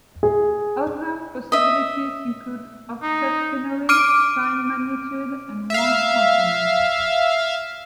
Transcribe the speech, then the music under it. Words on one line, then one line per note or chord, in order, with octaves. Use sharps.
Other possibilities include offset binary, sign-magnitude, and ones' complement.
G#4
D#5 E5
D#4
D6 F6 D7 D#7
E5 F5